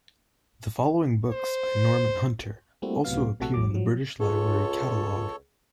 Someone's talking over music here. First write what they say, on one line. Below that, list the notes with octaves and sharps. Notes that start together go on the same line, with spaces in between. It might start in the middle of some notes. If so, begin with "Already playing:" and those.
The following books by Norman Hunter also appear in the British Library catalogue.
C5
G3 A3 A#3 C4 E4 F#4
C#2 A2 C3 F#3 B3 F5
A#1 C3 A3 F#4 A4 F#5
A#1 E2 F#3 D6
F3 F#3
C#2 F4 G#4 A4 C#5